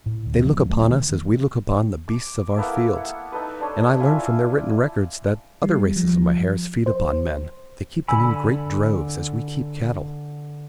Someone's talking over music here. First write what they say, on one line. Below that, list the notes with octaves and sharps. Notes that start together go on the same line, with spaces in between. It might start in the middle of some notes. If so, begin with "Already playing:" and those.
They look upon us as we look upon the beasts of our fields, and I learn from their written records that other races of Mahars feed upon men--they keep them in great droves, as we keep cattle.
A2
D2
F3 F#3 A#3 C4
D2 F#3 A3
D#3 E3
D6
A#3 B3 E4 A4
F#5
D#4 A4 B4
D4 C5 C#5
D4 E4 F4 G#5
G3
F3
C5
D3 G#5 B5 E6